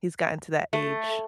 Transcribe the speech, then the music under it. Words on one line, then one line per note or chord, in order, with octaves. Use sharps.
He's gotten to that age.
A3